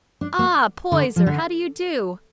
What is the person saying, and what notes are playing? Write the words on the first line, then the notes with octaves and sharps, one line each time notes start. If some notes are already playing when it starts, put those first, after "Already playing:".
Ah, Poyser, how do you do?
D4
A#3
D3
F3
D3